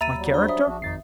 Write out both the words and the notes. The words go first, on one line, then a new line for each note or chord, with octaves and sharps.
"My character?"
D#2 E5 A#5 B5 E6 A6 D#7
F#3 G3
D4 C5
E5 D#6
A#1 D4 F#4
G#1 F2 D#4 A6 C7